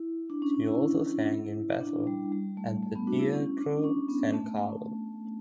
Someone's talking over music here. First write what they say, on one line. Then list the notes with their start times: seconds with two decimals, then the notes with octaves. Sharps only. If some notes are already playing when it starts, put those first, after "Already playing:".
She also sang in Basle at the Teatro San Carlo.
Already playing: E4
0.30 D4
0.42 C#4
0.55 D4
0.67 E4
1.81 D4
2.07 G3
2.32 G3
2.57 A3
2.83 A3
2.95 B3
3.07 D4 F#4
3.19 E4
3.33 C#4
3.58 D4
3.84 C#4
4.09 B3
4.34 A3